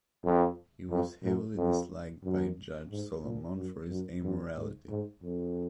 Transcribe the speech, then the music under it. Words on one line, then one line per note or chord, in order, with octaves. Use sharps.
He was heavily disliked by Judge Solomon for his amorality.
F2
F2
F#2
F2
F#2
G#2
A#2
F#2
F#2
F#2
G#2
G#2
F2